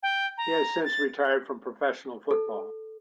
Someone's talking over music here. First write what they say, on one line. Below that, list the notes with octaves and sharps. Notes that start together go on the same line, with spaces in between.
He has since retired from professional football.
G5
A#5
A6
A4